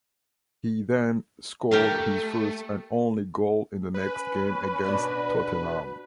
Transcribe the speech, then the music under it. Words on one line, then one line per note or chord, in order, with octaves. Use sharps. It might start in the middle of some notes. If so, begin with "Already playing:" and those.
He then scored his first and only goal in the next game against Tottenham.
A3 G4 A#4 F5
C#4 B4 B5
B2 D4 F#4